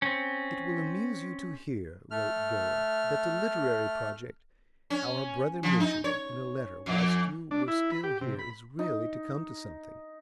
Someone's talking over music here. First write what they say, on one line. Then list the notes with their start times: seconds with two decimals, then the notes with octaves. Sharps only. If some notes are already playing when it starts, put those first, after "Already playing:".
'It will amuse you to hear,' wrote Dora, 'that the literary project our brother mentioned in a letter whilst you were still here is really to come to something.
0.02 C4 C#4
2.11 A3 F6
4.90 C#4
5.63 F3
5.80 D#4
6.04 C#5
6.86 F2
7.51 D4
7.68 E4
7.91 B5
8.03 G4
8.21 C3
8.39 B5
8.79 D#4